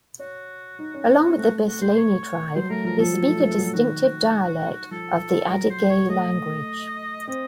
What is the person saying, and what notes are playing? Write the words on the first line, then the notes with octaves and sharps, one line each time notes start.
Along with the Besleney tribe, they speak a distinctive dialect of the Adyghe language.
F#4 C#5
D#4
C#4
C4
C4
A3 F#4
F#4
C5
C#5
F#3 C5
A3 A#4
F3 A#4
F3 A4
F#3
A3
A3
F#3
D#3 F#4
F3 A4
F#3 A#4
C5
C#5
A3 D#5
C4 D#5